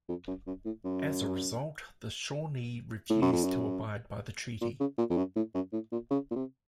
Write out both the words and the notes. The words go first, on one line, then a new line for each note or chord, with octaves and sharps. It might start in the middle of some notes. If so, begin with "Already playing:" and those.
As a result, the Shawnee refused to abide by the treaty.
F2
F#2
F#2
A2
F#2
A2
F#2
F2
F#2
A#2
C#3
A#2
F2
F#2
A2
F#2
A2
A#2
C#3
A#2
C3